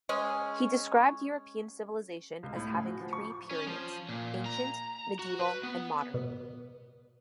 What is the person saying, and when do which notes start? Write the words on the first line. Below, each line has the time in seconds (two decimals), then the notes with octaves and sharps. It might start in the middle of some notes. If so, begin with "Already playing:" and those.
He described European civilisation as having three periods: ancient, medieval and modern.
0.09 G#3 C#4
2.43 C#2
2.56 A2
2.74 C#3
2.85 F#4
3.00 F3
3.13 C#6
3.51 C#4
3.67 F3
4.09 A#2
4.46 A#5
5.19 F#4
5.39 B4
5.63 B3
6.14 B2